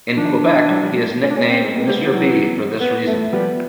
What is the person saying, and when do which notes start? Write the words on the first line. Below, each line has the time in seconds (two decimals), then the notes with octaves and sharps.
In Quebec, he is nicknamed Mister B for this reason.
0.17 D#3 F3 D4
0.43 D#3 F3
0.70 E3 F#3
0.82 F3 G3
0.96 G3 A3
1.22 A3 B3 C#4
1.30 D4
1.35 G#3 A#3 C#4
1.49 C4
1.62 G#3 A#3
1.70 C4
1.76 G#3 A#3 B3
1.88 G3 A3
2.01 D3 E3
2.14 E3 F#3
2.81 B3
3.07 A3
3.32 F3 G3 B3